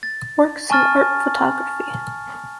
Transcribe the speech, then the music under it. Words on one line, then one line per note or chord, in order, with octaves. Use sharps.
Works in art photography.
A6
G#5 A5 C#6 F6 A6